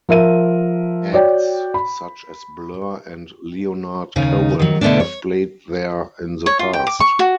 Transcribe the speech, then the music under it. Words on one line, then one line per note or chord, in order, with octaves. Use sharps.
Acts such as Blur and Leonard Cohen have played there in the past.
F3 A#4 E5 D#7
F#4 C#5 D5 G5
B5
D#2 C#3 D#4
D#3 F#3
B2 D3 A3 B3 C4 D4
C#5
C#5
F4
G5
D6
C#6
F#4